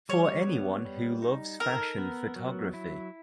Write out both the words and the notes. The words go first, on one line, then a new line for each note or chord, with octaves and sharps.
For anyone who loves fashion photography.
G3 C#5
B3
G3
D#4
A4 A#4
B3
F#3
E4